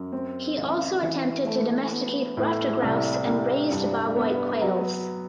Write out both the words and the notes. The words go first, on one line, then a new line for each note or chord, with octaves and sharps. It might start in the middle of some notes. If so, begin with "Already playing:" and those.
He also attempted to domesticate ruffed grouse and raised bobwhite quails.
Already playing: F#2
C4
A1
E3
A3
B3
A2
C2
C2
G2
B3
F#3